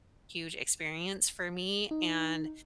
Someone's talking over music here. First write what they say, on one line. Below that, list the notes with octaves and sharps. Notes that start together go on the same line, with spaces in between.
huge experience for me, and
D#4